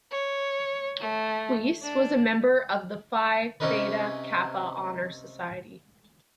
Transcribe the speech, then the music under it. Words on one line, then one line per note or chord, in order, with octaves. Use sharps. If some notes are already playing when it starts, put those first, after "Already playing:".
Weiss was a member of the Phi Theta Kappa Honor Society.
C#5
A3
D4
C3 C4 C#4 D#4 A#4 B4